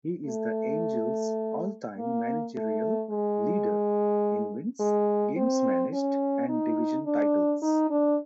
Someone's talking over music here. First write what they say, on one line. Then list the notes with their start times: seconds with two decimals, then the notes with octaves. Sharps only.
He is the Angels' all-time managerial leader in wins, games managed, and division titles.
0.26 A3
1.97 A#3
2.53 A3
3.10 G#3
4.80 G#3
5.36 C4
5.93 C#4
6.49 D#4
7.05 D4
7.62 D#4
7.90 D4